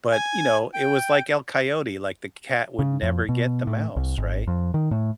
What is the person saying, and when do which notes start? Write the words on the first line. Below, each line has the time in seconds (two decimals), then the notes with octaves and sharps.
but, you know, it was, like, El Coyote, like, the c cat would never get the mouse, right?
0.12 G#5
0.74 G5
2.79 C#3
3.02 F2
3.29 B2
3.67 A2
3.96 C2
4.17 G#1
4.47 F2
4.74 D#3
4.91 A2